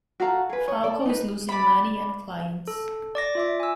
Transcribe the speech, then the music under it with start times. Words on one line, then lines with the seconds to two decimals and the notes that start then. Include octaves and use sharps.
Falco is losing money and clients.
0.20 F#4 A4 F5 A#5
0.50 G#4 B4
0.68 C#5 D#5
0.84 A4 D5
1.06 D#4 B4
1.49 D5 B5
2.68 A4
3.15 D5 D6 A#6
3.35 F4 E5 D6
3.60 G#5 E6